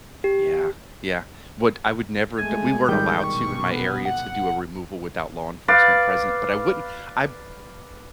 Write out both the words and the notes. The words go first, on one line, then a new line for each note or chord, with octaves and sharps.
Yeah, yeah. What I would never have d we weren't allowed to in my area to do a removal without law enforcement present, but I wouldn't I
G4
G#3 A3 G#5
G#2 D#3 G3 G#3 G6
A#1 B2 C#6
B3
F#5
B4 D5 F5